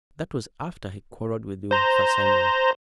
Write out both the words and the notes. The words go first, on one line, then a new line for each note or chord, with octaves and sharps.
That was after he quarrelled with you, Sir Simon.
C5 A#5